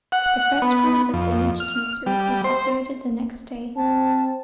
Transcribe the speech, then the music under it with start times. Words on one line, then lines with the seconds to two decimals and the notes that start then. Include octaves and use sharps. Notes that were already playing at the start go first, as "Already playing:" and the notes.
The first concept image teaser was uploaded the next day.
0.12 F#5
0.62 B3
1.14 F2
1.60 F6
2.06 G3
2.44 C5
3.77 C4 A5